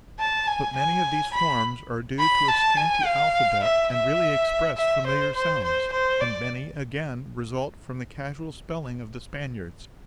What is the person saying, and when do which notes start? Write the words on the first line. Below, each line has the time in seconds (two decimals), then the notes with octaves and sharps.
But many of these forms are due to a scanty alphabet, and really express familiar sounds; and many, again, result from the casual spelling of the Spaniards.
0.19 A5
0.47 G#5
0.76 G#5
1.33 B5
2.19 B5
2.48 A5
2.77 G#5
3.05 F5
3.63 E5
3.92 E5
4.77 E5
5.06 C5
5.35 C5
5.63 C5
5.92 C5
6.21 D5